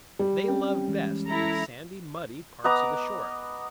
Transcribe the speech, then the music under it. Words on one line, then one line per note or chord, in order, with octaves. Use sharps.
They love best the sandy, muddy parts of the shore.
G3
C4 C#4 G5
E3 G#3 C#4
E4 A4 A#5
B3 D#5 A#5 D6